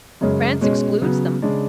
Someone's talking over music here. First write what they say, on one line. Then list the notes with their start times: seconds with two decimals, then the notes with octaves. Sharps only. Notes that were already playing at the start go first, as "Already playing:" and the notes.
France excludes them.
0.21 F#2 C#3 G#3 C#4
0.61 B2 G#3 C#4
1.02 C#3 F#3 B3
1.42 C#3 G#3 D4